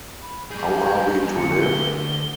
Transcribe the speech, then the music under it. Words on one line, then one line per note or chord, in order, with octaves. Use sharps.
How Are We to Live?
B5
G3 G#4 G6
D2 C#7
G7